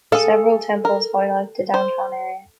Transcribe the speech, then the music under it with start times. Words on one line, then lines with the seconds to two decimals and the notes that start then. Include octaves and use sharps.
Several temples highlight the downtown area.
0.12 G#4 A4 F5
0.85 A#4
1.74 C5